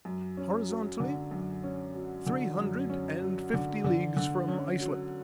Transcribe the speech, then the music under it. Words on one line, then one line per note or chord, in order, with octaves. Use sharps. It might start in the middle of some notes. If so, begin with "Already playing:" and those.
"Horizontally, three hundred and fifty leagues from Iceland."
F#2
C#4
F#3
D3
F#2
C#4
F#3
D3
F#2
C#4
F#3
D3
D3
D3
C#4
F#3